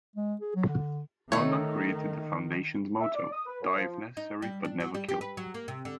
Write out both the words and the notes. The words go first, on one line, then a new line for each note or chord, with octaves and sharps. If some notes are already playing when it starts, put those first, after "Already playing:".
Rondon created the foundation's motto: Die if necessary, but never kill.
G#3
G#4
F#3
D3
D#3 A3 D#4 C#5
E5
D5
D#6
B4
F#2
F3
D#4
G3
D4
F#3
G3
G4
B4
F#3
A#3
C3
D3